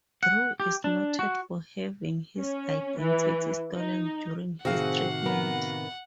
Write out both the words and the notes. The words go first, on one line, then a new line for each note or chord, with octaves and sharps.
Drew is noted for having his identity stolen during his treatment.
F#5
G4
D4
F#4
C#4
E3
D#4
A2 C3 D#3 C4 F#4 G#4 F5 F#5
B3 A#4 B4